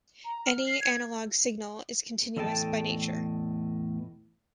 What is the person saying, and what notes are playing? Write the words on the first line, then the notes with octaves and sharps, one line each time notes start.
Any analog signal is continuous by nature.
A#5
F6
C7
G#6
E2 A2 A4 D#5 G5 A5